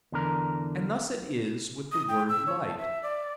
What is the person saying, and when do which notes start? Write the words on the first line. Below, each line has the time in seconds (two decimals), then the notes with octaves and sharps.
And thus it is with the word light.
0.12 E2 D3 A#4
1.92 D#6
2.08 G5
2.29 E6
2.47 C#5
2.63 A5
2.78 E5
3.03 D5